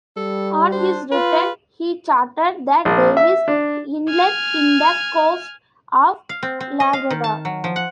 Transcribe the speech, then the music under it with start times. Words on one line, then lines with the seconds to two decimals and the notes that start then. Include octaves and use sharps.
On his return, he charted the Davis Inlet in the coast of Labrador.
0.17 G3 A4
0.72 D4 C5
1.12 F4 B4
2.85 A#1
3.17 E5
3.48 D4
4.08 G#5 F6
6.29 F5
6.43 C4
6.60 C4
6.80 D#5
6.93 F5
7.11 D#3
7.24 A5
7.45 F#3
7.64 F3
7.76 F#5